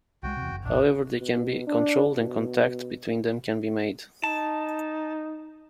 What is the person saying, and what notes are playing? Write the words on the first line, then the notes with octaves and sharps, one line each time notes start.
However, they can be controlled, and contact between them can be made.
C2 F#3 G#3 F#4 G5
E2 C3
F#1
A1 D#2 C#3 D4
B2
D4
B2
D#4 A5